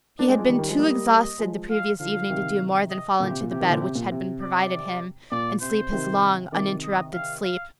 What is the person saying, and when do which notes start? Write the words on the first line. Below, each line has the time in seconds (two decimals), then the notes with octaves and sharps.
He had been too exhausted the previous evening to do more than fall into the bed which had been provided him and sleep his long, uninterrupted sleep.
0.19 A#3 D4 D5
0.28 G#3 C4
0.39 F3 G#3
0.49 D#3 G3
0.59 D#3 G3
0.68 F3 G#3
0.79 G3 A#3 D#5
1.39 F3 G#3
1.70 F5
1.99 D3 F3 F5
2.29 C3 D#3
2.90 D#5
3.20 A#2 D3 G4
3.30 C3
3.41 A#2
3.50 C3 G4
3.60 C3 D#3
3.70 A#2 D3
3.81 C3
3.95 A#2
4.11 C3
4.41 D5
5.31 A#2 D5
5.61 C3 C5
5.92 C3 D#3
6.52 C3 D#3 D5
6.83 D#5
7.13 F5
7.43 F5